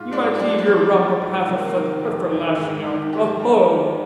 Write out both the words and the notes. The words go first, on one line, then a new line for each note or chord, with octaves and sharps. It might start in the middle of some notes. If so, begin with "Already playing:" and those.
You might heave your rump up half a foot, but for lashing out--oho!
Already playing: G#2 F4
G#2 D4
G3 D4
D4
F3 C4
F3
G#2
C3 A#3
C4
A#3
D#3
F2
D#3
G#2
D#3
G#2 G4
G3
G3